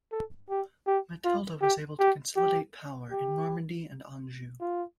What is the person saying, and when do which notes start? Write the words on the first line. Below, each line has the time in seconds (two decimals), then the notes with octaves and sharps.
Matilda was able to consolidate power in Normandy and Anjou.
0.12 A4
0.50 G4
0.87 G4
1.25 F4
1.62 G4
1.99 G4
2.36 G4
3.11 G4
4.61 F4